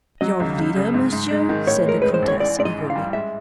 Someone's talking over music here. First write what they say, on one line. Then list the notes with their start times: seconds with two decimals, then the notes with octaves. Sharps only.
"Your leader, Monsieur?" said the Comtesse, eagerly.
0.21 F#3 D#5
0.40 C#2
0.58 C#2
0.76 C#3
0.94 G#2
1.13 G#2
1.31 G#3
1.49 D#3
1.67 A2 C#5
1.86 G#3 A#4
2.02 G#3 B4
2.14 C5
2.22 A1
2.28 C#5
2.40 E3 D5
2.59 G#2 D5
2.65 D#5
2.77 E3
2.90 F5
2.95 G3
3.13 G#3 E5